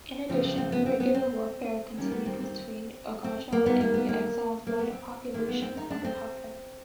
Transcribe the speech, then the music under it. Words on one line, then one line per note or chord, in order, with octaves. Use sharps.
In addition, regular warfare continued between Agaja and the exiled Whydah population under Huffon.
C#3 F3 A3 C4
C4
C4
B3
C4
B3
C4
D#3 G3 A#3 C#4
B3
C4
C4
C4
A#3
D#3 G3 A#3 B3
A#3
B3
A#3
A#3
B3
C4
D#3 G#3 A#3
B3
C4
D#4
D4
C4